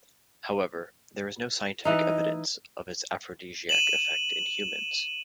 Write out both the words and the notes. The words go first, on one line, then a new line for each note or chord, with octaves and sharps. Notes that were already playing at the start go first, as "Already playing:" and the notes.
However, there is no scientific evidence of its aphrodisiac effects in humans.
E3 D#4 D#5
D#7 E7 F#7